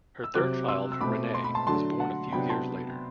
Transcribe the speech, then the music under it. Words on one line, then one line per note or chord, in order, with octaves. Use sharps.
Her third child, Rene, was born a few years later.
E6
C3 F#3 C4 D6 F#6
C6 E6
E6
B2 A3 C4 B5 D6
C6
B5
A5 C6
D3 F#3 A3 D4 A5 C6
F#5 A5
C3 F#3 B3 D4 G5 B5
A5 C6